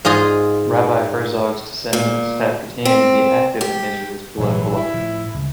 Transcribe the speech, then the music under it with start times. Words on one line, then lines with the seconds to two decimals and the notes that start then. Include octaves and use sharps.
Rabbi Herzog's descendants have continued to be active in Israel's political life.
0.05 G#2 F4 G#4 D#5
1.93 A#2
2.85 C4
3.61 G4
4.38 A#1 G#2 E3 F#3
4.75 E4
4.94 A2 F3
5.34 C#2 G#3